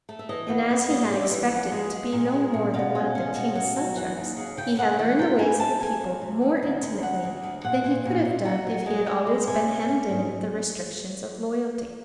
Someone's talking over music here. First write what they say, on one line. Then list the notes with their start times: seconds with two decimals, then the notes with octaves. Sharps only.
And as he had expected to be no more than one of the King's subjects, he had learned the ways of the people more intimately than he could have done if he had always been hemmed in with the restrictions of royalty.
0.09 A3
0.19 E5
0.29 E3 D#5
0.49 B3
0.71 B3
0.90 G3 D#5
1.05 D5
1.11 G3
1.22 E5
1.31 E3
1.52 F3 F#5
1.72 G#3
1.93 G#3
2.13 A#2
2.34 G#3
2.54 A#2
2.74 B2 F5
2.95 C#4
3.15 C#4
3.35 B2
3.55 F#3
3.76 F#3
3.96 E3 F#5
4.17 D#2
4.37 C#3
4.57 C#3 G5
4.79 C#3 F#5
4.99 E3 F#5
5.18 C3 G5
5.39 G3 G#5
5.59 G3 A5
5.80 C3 G#5
6.01 F2
6.21 C3
6.42 D2
6.62 D2
6.82 D2
7.02 D2 F#5
7.24 D2
7.43 D2
7.64 A#2 F#5
7.84 A#2
8.05 A#2
8.25 A#2
8.45 F#3
8.67 F#3
8.86 G#3
9.06 G#3
9.27 G#3
9.48 C3 G#5
9.68 C#4
9.89 C#4
10.09 G#2